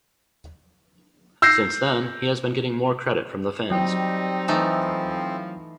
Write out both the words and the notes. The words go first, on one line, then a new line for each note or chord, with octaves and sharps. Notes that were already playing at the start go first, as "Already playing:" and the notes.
Since then, he has been getting more credit from the fans.
E6 G6 A#6 C7
F#3 G3 C4 D#4 G5
A2 E3 F3 A3 D#4